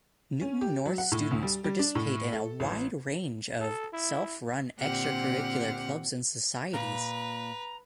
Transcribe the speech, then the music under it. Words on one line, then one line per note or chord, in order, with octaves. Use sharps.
Newton North students participate in a wide range of self-run extracurricular clubs and societies.
C#4
G4
F#3
F#5
A2
D2
G3
G3
D4
A2
A4
A1
A4
E4
A#2 D3 C4 G4 F#5 F6
A#2 B4 A#5